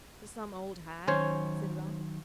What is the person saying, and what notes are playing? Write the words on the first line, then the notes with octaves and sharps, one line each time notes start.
'To some old hag?' said Ralph.
D#3 F#3 C#4 C5 C#5